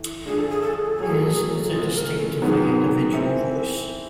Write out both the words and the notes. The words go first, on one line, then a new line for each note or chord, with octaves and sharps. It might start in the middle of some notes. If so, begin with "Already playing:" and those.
His is a distinctively individual voice.
Already playing: A2 E3 A3
G2 D3 F3 G#4
A4
G#4
A4
G#4
A4
A2 F#3 A#3 G#4
A4
G#4
A4
A2 F3 G#3 G#4
A#4
A4
G#2 D#3 F#3 B3 G#4
C4 E4 G#4